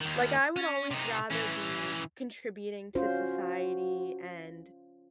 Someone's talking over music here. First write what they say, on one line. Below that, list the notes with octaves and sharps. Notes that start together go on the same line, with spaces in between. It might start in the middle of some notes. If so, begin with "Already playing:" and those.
Like, I would always rather be contributing to society and
D#2 D#3
C#4
C3 D#4
E3 C#4
C#4 F4 F#4 C5